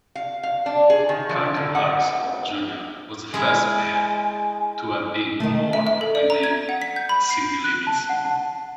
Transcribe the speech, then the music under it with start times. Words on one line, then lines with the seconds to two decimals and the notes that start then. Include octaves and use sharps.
Carter Harrison, Junior was the first mayor to have been born within city limits.
0.15 F5
0.43 F5
0.66 D4
0.90 G#4
1.09 D#3
1.29 F3
1.56 D3
1.75 F#5
3.34 G#3 E4 G#4 G#5
5.40 D#3 A3
5.73 E5
5.87 E5
6.01 A4
6.15 D5
6.30 A#5
6.43 G#6
6.69 F#5
6.82 B6
6.96 G6
7.09 B5
7.31 C7
7.64 F#6
7.87 A5
8.09 F#5
8.25 A5